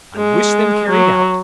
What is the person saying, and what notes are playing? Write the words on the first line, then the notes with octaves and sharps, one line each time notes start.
I wish them carried out.
G#3
F#3